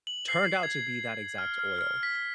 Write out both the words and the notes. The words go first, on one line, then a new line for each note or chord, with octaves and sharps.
turned out to be that exact oil,
F#7
C7
G#6
F6
F6
F6
B6